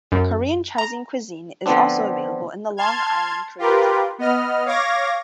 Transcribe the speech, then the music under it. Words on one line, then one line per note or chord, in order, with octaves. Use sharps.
Korean Chinese cuisine is also available in the Long Island Koreatown.
F#2
A#5
D3 F3 B3 C4 D4
A5 C6 F6 G#6
F4 G4 A#4 B4
B3 D#5 F6
C#5 F5 D6 G#6 A#6